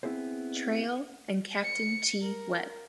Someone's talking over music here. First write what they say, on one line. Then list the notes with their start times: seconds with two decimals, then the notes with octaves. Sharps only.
Traill, and Captain T. Webb.
0.03 B3 C4 E4 G#4 C5
1.63 C#7
2.22 A#4